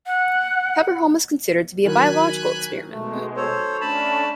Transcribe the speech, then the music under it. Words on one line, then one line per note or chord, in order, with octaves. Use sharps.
Peberholm is considered to be a biological experiment.
F#5
D#3 F#3 G#5 B5 F#6
B2 G#3 A3
A4 C5 C#5
A3 C#4 D4 A5 B5